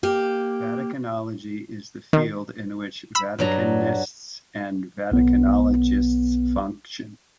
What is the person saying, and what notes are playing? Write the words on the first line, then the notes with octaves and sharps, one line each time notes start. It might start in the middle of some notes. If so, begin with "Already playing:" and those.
Vaticanology is the field in which Vaticanists and Vaticanologists function.
A#3 G4
D#3
B5 E6
G2 F#3 A#5
B1 B3